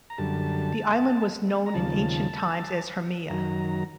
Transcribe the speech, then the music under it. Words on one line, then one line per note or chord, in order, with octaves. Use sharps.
The island was known in ancient times as Hermea.
A#5
F#2 D3 G3 A5
A#5
D#2 C#3 F3 A5
F#2 D#3 F#3 A#5